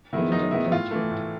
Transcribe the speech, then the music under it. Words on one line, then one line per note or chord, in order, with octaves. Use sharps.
He didn't graduate.
D#3 G#3 B3 E4
F#2 D#4
D#3 G#3 B3 E4
A2 F4
E3 A3
A2